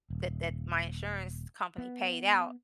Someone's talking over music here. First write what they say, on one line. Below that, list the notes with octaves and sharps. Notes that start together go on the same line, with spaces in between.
that that my insurance company paid out.
D#1
B3